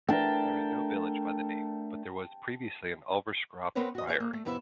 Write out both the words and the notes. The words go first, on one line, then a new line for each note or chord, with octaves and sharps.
There is no village by the name, but there was previously an Ulverscroft Priory.
A3 D4 A#4 G5 A5
B3 C4 A#4 B4 C#5 F#5
F#4 D#5
G#4 C#5 D5
A#3
A3
F2 C3 B3 E4 G4 E5